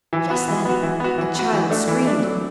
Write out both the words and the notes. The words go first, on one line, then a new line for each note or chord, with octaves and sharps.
Just then a child screamed.
E3
B3 F#4
E3
B3 F#4
E3
B3 F#4
E3
B3 F#4
E3
A3 D4
E3
A3 D4
F#3